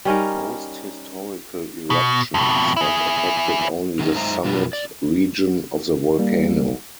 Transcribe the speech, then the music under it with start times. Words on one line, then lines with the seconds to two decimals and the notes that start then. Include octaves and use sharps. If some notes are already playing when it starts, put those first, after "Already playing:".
Most historical eruptions have affected only the summit region of the volcano.
0.05 G3 C#4 D#4 A#4
1.90 B2
2.34 F2 B2
2.77 E4 G#4
3.99 D3 D#3 C#4 D#4 A#4
4.16 F#2 G#3 D#4 C5 E5 A#5
4.45 F2 B2 F4 B4
4.73 D5
6.19 G3 A#3